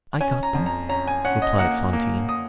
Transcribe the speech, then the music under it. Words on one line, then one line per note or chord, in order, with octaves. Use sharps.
"I got them," replied Fantine.
C#4 G#5
A#5
F2
A#5
C#4 A#5
G#5
C#4 F#5
D#5
A#3 F#5
A#3
D#6